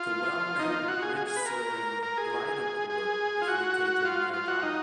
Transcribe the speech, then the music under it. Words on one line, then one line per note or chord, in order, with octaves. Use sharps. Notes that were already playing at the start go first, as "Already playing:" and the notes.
The well known Ridge Soaring Gliderport is located nearby.
Already playing: F4
D#4
F4
F#4
G#4
G#4
G#4
B4
A#4
A#4
G#4
G#4
F4
F#4
F4
F4
F#4
D#4